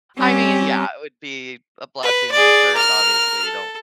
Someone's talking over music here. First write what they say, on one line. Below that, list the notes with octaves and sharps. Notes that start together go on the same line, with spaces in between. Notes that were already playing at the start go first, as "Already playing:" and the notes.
I mean, yeah, it would be a blessing and a curse, obviously, you don't
G3 C4 C#4 G4
B4
G#4 D5
A#4 F6
A4